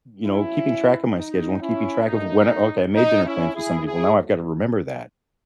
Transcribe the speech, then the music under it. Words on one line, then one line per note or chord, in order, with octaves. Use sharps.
you know keeping track of my schedule and keeping track of when I okay, I made dinner plans with somebody, well, now I've got to remember that,
C#2 B2 F#3 C#4 E4
D#4
C#4 E4
F#2 D#3 A3 D#4
D#4
C#4 E4
E4 G#4
G#2 F#3 A3 E4 G#4